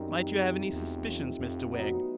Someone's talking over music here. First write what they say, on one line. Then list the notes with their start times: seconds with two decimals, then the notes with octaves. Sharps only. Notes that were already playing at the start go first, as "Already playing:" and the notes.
'Might you have any suspicions, Mr Wegg?'
Already playing: F#2 D#3 G3 C4 D#4
0.08 C3
0.40 F3 A3
0.73 E2 C3
1.07 F3 A3
1.39 F2 A2
1.72 F#3 B3 D#4